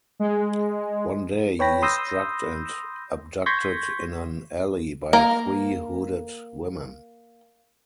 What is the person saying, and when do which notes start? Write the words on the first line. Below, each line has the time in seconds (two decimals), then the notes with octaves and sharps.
One day he is drugged and abducted in an alley by three hooded women.
0.20 G#3
1.59 B4 C#5 G5 B5 A#6
1.82 B5 C6 D#6 E6 G6 A#6
3.46 C6 C#6 G6 G#6 A#6 B6
5.13 A#3 A#4